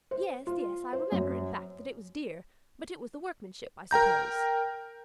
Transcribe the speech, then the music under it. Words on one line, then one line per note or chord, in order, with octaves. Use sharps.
"Yes, yes; I remember, in fact, that it was dear; but it was the workmanship, I suppose?"
C5
F4
C5
F#2
A#4 G5 A#5 G6